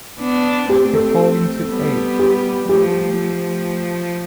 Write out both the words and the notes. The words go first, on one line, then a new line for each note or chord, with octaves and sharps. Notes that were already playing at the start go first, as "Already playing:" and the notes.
According to A.
B3 D4
A3 C4 G4
A4
G3 B3
G4
F3 A3 G4
F3 A3